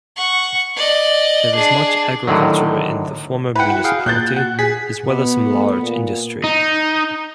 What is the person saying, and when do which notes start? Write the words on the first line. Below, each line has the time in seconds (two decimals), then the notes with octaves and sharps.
There is much agriculture in the former municipality, as well as some large industry.
0.16 F#5 C#6
0.76 D5 D#5
1.54 D4 G#4
2.27 A2 D3 D#3 F#3
3.56 E4 B4 F#5 G5
3.70 F#4
3.84 G#4 F5 G5
4.06 A#2 F#6 G6 A6
4.36 F#4
4.59 G#4 B6
5.07 B2 B3
5.47 A3
5.81 A#2
6.44 D#4